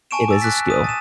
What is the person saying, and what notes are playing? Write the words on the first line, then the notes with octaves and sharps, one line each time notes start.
It is a skill.
G#5 A5 C#6 D7 E7
D6 E6 A6
D6 F#6 A6 B6
D#6 D#7
A6 D#7 E7